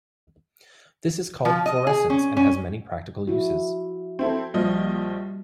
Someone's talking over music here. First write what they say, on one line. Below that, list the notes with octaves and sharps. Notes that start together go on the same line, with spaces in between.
This is called "fluorescence", and has many practical uses.
F3
D#5
G#4
C#4
C#4
F3 E4 F#4
C4 E4 A4
A#1 F3 G3 D#5